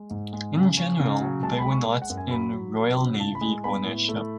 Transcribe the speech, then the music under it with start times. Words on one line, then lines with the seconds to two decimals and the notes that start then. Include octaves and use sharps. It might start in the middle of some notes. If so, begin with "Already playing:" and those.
In general, they were not in Royal Navy ownership.
Already playing: G#3
0.11 G#2
0.33 G#3
0.56 C#3
0.77 C#4
1.00 C#3
1.21 F#3
1.43 G#3 A5
1.59 B5
1.65 G#3
1.72 C#6
1.87 G#3
2.02 F#5
2.10 F#2
2.17 G#5
2.31 F#3 B5
2.53 F#3
2.75 F#3
2.97 C#3
3.19 A2 A5
3.35 B5
3.41 G#3
3.64 B3 B5
3.85 A2
4.08 A3